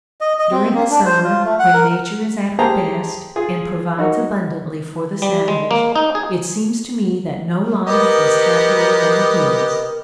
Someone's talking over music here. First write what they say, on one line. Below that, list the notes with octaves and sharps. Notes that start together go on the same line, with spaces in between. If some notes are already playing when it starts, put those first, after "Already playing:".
During the summer, when Nature is at her best, and provides abundantly for the savage, it seems to me that no life is happier than his!
D#5
D#5
C4
A#3
D4
C5
F4
A3
F#5
A#4
G4 G#4 C5 G5 A5 A#5
F4 G#4
D#4 F#4 A#4
G3
G#3
A#3
D#4
G#4
B3 G4 A#4 D#5